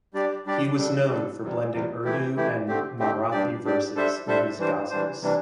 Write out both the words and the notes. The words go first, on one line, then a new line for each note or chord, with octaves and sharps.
He was known for blending Urdu and Marathi verses in his ghazals.
G3 D4 G4 D5
G3 D4 G4 D5
G3 D4 A4
G3 D4 A4
E2 C3 G3
E2 C3 G3
E3 A3 E4 G4
E3 A3 E4 G4
D3 A3 C4 G4
D3 A3 C4 G4
G2 G3 D4 G4 D5
G2 G3 D4 G4 D5
G3 D4 A4 C5 E5
G3 D4 A4 C5 E5
E3 G3 D4 C5
E3 G3 D4 C5
C3 E3 G3 D4